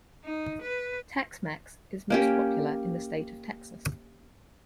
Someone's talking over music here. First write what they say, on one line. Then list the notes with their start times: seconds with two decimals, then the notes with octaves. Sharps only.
Tex-Mex is most popular in the state of Texas.
0.24 D#4
0.62 B4
2.10 A#3 C#4 G4